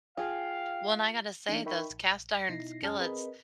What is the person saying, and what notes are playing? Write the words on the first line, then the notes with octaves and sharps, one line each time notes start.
Well, and I gotta say those cast-iron skillets,
F4 G#4 F5 G5
E3 A3 A#3 D4 D#4
D#4 A#4 E5 G5 B5 C#6
A#1
B2 D#4 E4 A#6 C7
F#2 C#4 G#4 A5 F6
C4 G#4 A#4 B4 D#5 B5